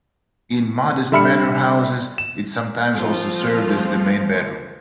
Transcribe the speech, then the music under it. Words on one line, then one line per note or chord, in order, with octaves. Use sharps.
In modest manor houses it sometimes also served as the main bedroom.
D3 G3 E5 B5 F6 C#7
E7
F3 A3 C4 F4